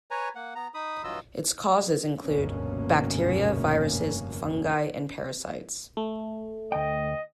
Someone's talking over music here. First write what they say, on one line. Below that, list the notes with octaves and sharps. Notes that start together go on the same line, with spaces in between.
Its causes include bacteria, viruses, fungi and parasites.
B4 C#5 G#5 A#5
A#3 F#5
B3 A#5
D#4 B5 D#6
G2 E3 F#3 F4 D#5 E6
F1 D2 G2 B2 A#3 C#4
A3
D2 D#5 G5